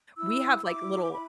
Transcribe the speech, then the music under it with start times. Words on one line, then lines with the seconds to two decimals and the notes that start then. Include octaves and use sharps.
We have, like, little
0.17 E4 E6
0.64 E4 D6
1.11 E4 B5